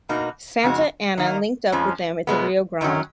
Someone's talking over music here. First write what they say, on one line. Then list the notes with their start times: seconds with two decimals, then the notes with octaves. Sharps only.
Santa Anna linked up with them at the Rio Grande.
0.09 B2 A#3 D#4 F#4
0.63 F2 C#3 G#3 D#4 F#4
1.18 D#3 A#3 D#4
1.72 F2 F3 G#3 C#4
2.27 B2 G#3 B3
2.81 F#2 D#3 F#3 C#4